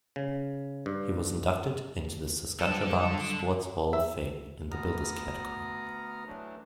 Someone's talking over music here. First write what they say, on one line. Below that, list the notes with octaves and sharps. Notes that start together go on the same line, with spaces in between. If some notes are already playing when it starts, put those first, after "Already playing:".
He was inducted into the Saskatchewan Sports Hall of Fame in the builders category.
C#3
G2
D3 F#3 G3 D4 A4
E5
D2 B3 A#5 D#6 F6
E3 F#3 A3 D4